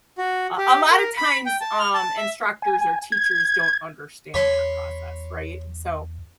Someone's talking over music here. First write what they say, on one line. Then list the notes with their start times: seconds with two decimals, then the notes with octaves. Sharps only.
uh, a lot of times, um, instructors or teachers don't understand that process, right? So,
0.18 F#4
0.58 G4
0.91 A#4
1.17 B5
1.46 G5
1.61 A5
1.79 F6
1.94 A5
2.17 E5
2.62 G#5
3.12 G#6
4.34 E2 C#5 B5 C6